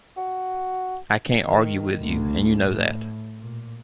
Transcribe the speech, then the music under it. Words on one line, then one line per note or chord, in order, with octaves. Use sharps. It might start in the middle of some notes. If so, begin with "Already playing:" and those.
I can't argue with you, and you know that.
F#4
D#3
D2
A2
A#2